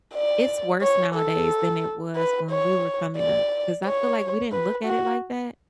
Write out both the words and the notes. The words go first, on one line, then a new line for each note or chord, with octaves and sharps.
It's worse nowadays than it was when we were coming up, 'cause I feel like we didn't look at it like that.
D5
C#5
A4
B4
C#5
D5
C#5
B4
F#4